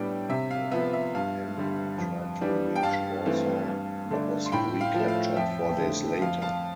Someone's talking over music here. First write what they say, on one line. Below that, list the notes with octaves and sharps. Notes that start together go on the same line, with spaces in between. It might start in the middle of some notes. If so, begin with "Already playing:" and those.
With a companion he tried to reach Warsaw, but was recaptured four days later.
Already playing: A2 G3 B3 D4 G5
C3 E5
F5
F3 B3 E5
E5
G2 F5
D3 G3
F2
E3 G3 D4
G5
G2 F5 A5
E3 A3 C4
G2
D3 A3 D4
C6
A2 G5 B5
F5
F3 A3
F5
F2 E5 G5
D3 A3
F2 F5
F5 A5